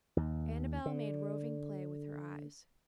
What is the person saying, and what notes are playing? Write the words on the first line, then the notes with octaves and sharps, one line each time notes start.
Annabel made roving play with her eyes.
D#2
D3